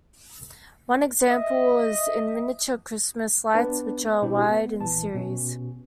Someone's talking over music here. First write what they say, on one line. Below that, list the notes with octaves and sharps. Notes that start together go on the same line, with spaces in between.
One example is in miniature Christmas lights which are wired in series.
D#5 E5
B3 D4 B4
B2 C4 D4 E4 G4
B3
A#1 E3 A5
B2 C#4